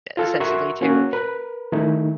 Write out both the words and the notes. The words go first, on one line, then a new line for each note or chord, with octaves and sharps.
essentially, to
F4 A4 F6
F#4 A#4 E5 C6 C#6
A#3 C#4 F#4
A#4 B4
D#3 A3 D#4 E4